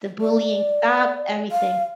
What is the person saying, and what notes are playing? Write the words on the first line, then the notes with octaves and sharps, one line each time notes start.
The bullying stopped, everything.
D5
F5